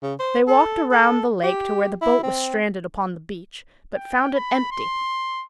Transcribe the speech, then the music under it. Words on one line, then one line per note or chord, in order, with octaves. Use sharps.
They walked around the lake to where the boat was stranded upon the beach, but found it empty.
C#3
C5
A4
A4
G4
E4
C4
G5
B5
C6